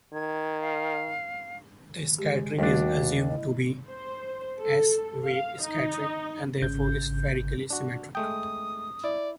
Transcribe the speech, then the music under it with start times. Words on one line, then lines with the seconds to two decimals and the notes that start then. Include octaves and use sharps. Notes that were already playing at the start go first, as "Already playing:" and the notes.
The scattering is assumed to be "s"-wave scattering, and therefore spherically symmetric.
0.14 D#3 G#6
0.61 F5
2.18 G#3 G4
2.59 D#2 G3 A3 D4 D#4 F#4
3.28 E4 D#5
3.88 C5
4.59 A4
5.25 F5
5.61 D#4
6.62 G#1 C#3 G6
7.70 D4 F#4
8.15 G#3 A3 G5 D#6
9.04 E4 D5